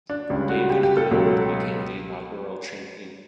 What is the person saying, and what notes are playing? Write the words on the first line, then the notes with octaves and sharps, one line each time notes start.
David Gold became the inaugural champion.
D4
C#2 C#3 G3
F#4
G4
G4
A4
C#2 B2 F#3